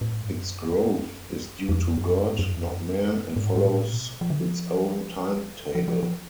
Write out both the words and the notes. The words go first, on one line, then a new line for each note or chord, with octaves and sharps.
Its growth is due to God, not man, and follows its own timetable.
A2
G#2
F#2
F2
F#2
G#2
F#2
F2
F#2
G#2
G#2
A2
B2
F3
D3
F3
F3
F3
F3